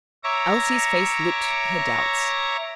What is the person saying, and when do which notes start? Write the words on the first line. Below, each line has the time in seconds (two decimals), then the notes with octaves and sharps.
Elsie's face looked her doubts.
0.24 C#5 E5 A#5 C#6 D6 A#6